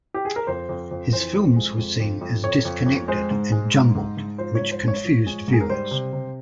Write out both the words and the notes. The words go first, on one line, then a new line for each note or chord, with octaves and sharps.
His films were seen as disconnected and jumbled which confused viewers.
G4
G#4
A#4
F2 C5
F2
F2
E3 C5
F2
G#3
F2
F2
F2
F2 C#5
F2
F2
G#3 C5
G#2
G#3
G#2
G#2
G#2
F3 C5
C#5
G#2
C5
G#3
C#5
F3
G#3
G#2
G#4
A#4
G3 C5
C3
C3